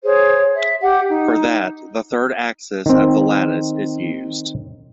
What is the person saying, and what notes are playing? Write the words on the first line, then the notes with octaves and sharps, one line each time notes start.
For that, the third axis of the lattice is used.
G#4 C5 C#5
E5
G4 F#5
D#4
D#3 C4